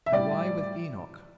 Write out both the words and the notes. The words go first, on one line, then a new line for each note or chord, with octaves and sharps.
"And why with Enoch?"
E5
A2 G3 D5